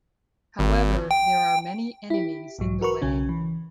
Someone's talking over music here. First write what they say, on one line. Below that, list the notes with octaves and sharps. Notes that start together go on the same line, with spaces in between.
However, there are many enemies in the way.
G#1
G5
E4 G4
B1 G#2 F#3
F#4 A#4 B4 C#6
B1 C#3 C#4
E3